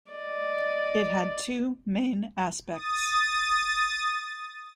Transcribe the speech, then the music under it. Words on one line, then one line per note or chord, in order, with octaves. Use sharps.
It had two main aspects.
D5 D#5
D#6 A6